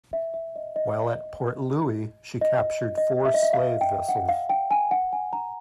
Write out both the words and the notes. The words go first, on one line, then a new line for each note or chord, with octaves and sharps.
While at Port Louis she captured four slave vessels.
E5
E5
D#5
D#5
D#5
D#5
E5
D#5
E5
F5
G5
F#5
F5
G5
G#5
F#5
G#5
A#5